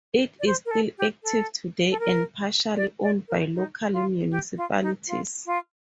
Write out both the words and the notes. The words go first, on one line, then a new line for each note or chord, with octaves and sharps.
It is still active today and partially owned by local municipalities.
D5
C5
A#4
A4
G4
A4
A4
A#4
D5
D5
A#4
D#4
F4
G4
F4
D#4
F4
F4